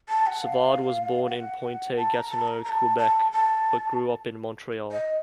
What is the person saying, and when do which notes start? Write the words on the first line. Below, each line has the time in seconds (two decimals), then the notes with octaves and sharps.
Savard was born in Pointe Gatineau, Quebec, but grew up in Montreal.
0.09 A5
0.27 F#5
0.43 F5
1.28 F#5
1.97 A5
2.14 A#5
2.30 A5
2.48 A#5
2.64 A#5
2.69 A5
2.98 A5
3.32 A5
4.92 D#5